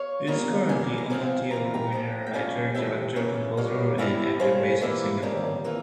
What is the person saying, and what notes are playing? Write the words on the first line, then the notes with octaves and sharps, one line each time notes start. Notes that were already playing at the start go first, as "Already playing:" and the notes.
He is currently a multi-award-winning writer, director, composer and actor based in Singapore.
Already playing: C#5 F5
E2 C#3 G3 A#3 F4
G#2 E3 A#3 F5 G#5
A#5
G#2 F3 C4 F4 F5 G#5
E3 A#3 F4 A#5
G5 A#5
A#2 F3 A#3
G5
F2 C#3 G3 C#4 F4 F5 G#5
F2 E3 G3 C4 E5 G5
C#3 E3 A#3 C#4 F4
G2 G3 A#3 C#5 F5
E2 C3 G3 C#4 E4 F5 G#5
G2 G3 C#4 F4 G#4 C5
E3 G3 A#3 E4 F4
F2 C#3 G3 A#3
E3 A#3 F4